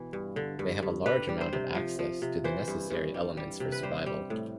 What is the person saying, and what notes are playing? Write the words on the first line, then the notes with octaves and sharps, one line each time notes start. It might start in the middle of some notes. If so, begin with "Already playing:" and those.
They have a large amount of access to the necessary elements for survival.
Already playing: B2 E3
G2
D3
G2
G2
G3 B4
G3
C5
C3
F3
F3
C3
E3 C5
G2
G2
G3
G3
C3
B4
G3 C5
G3
A2